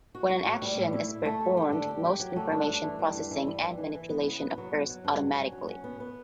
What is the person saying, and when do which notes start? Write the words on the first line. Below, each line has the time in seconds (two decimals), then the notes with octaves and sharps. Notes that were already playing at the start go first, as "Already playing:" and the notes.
When an action is performed, most information processing and manipulation occurs automatically.
0.15 F#4
0.29 F#4
0.46 A2
0.62 G3
0.77 A2
0.93 E4
1.09 E4
1.25 A3
1.40 G4
1.57 G4
1.72 D3
1.88 G4
2.04 G4
2.20 F#3
2.36 A3
2.52 D4
2.68 G2
2.83 E3
2.99 G3
3.14 G2
3.31 E3
3.47 G3
3.63 E3
3.78 E3
3.95 E3
4.10 B3
4.26 C#3
4.41 B3
4.58 F#3
4.73 F#3
4.89 F#3
5.05 G2
5.21 F#3
5.36 C#4
5.52 F#3
5.68 C#4
5.84 B3
6.00 B3